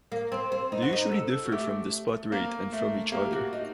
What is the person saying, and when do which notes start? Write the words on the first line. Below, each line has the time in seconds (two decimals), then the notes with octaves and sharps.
They usually differ from the spot rate and from each other.
0.12 A#3
0.32 C4
0.52 C4
0.72 D#4
0.82 F#4
0.93 D#4
1.12 A4
1.45 F#4
1.52 A3 G4
2.32 A#3
2.73 A3
3.12 A#3 G4
3.32 F#4
3.53 D#4